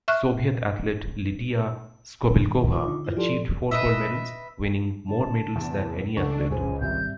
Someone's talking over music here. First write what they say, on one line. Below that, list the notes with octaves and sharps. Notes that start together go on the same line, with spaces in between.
Soviet athlete Lidiya Skoblikova achieved four gold medals, winning more medals than any athlete.
E5 C#6 F6 F#6
D#3
D#4 F4 D6
D3
E4 F4
F3 G4 A4 D5 C6
B4 D#5 E5
D3 A5
E2 C3
C#2 C#3 D4 A4 F#5 C#6
D#1 C#2 F#2 G#4 C5 G#5
G#1 C3 G3 E5 G6